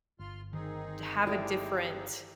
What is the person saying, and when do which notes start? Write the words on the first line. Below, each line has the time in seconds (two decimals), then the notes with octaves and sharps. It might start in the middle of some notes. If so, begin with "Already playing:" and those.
have a different
0.19 G1 F4 C6 F6
0.53 D#3 C4 D#4 G#4
1.27 E4 G4 A4 D5